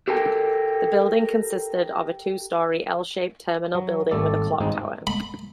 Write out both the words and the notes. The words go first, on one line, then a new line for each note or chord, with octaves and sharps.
The building consisted of a two-storey L shaped terminal building with a clock tower.
G4 A4 A#4 G5
F#3
G#1 G3 A3 A4 D5
G#1 D2 G#3 C4 D#4
B5